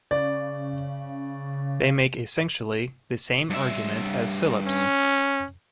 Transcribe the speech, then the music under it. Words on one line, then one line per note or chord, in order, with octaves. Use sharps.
They make essentially the same argument as Phillips.
C#3 D5
G2 E5
C#4